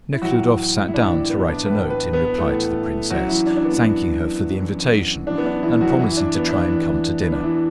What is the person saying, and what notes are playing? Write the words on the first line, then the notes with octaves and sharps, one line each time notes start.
Nekhludoff sat down to write a note in reply to the princess, thanking her for the invitation, and promising to try and come to dinner.
E4
A2 E3 F#3 F#4
E4
A2 E3 D4
D4
B3
E4
D4
A2 E3 B4
B4
B3 B4
A2 E3 A3 A4
F#2 E3 F#3 F#4
E3 E4
D4
D4
B3
F#2 E3
F#2 E3
F#2 E3 D4
B3
D4
E3 E4
F#3 F#4
E2 E3 E4
D4
B3
E4
D4
E2 E3
B3
D4
E3 E4